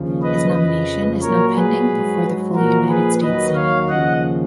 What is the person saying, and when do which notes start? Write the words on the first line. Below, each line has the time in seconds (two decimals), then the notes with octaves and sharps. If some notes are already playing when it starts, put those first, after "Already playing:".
His nomination is now pending before the full United States Senate.
Already playing: D#2 C#3 F3
0.22 B4 D#5
0.55 F2 C#3 F3 B4 D#5
1.21 A#2 F#3 A#4 C#5
1.55 G#4 B4
1.89 G#2 F#3
2.55 A#2 F3 F#4 A#4
2.88 G#4 B4
3.22 D#2 D#3 F#3 B4 D#5
3.55 C#5 F5
3.89 D#2 C#3 F3 D#5 F#5